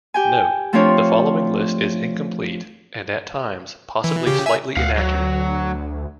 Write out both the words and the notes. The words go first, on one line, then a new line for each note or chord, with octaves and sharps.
Note: The following list is incomplete and, at times, possibly slightly inaccurate.
G4 G5 G#5
F3 A3 C4 D4 F4 C#5
E3
C#3 G4
E5 G#5
D2 F5 F#5
F#3